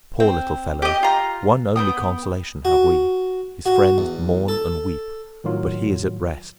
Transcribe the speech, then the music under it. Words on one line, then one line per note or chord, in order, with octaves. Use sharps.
Poor little fellow! one only consolation have we; his friends mourn and weep, but he is at rest.
C4
G4 D#5
F4 G4 A#5
B3 C4 G5 D#6
F#4
F#4
E2
A4
A2 D#3 F#3 F4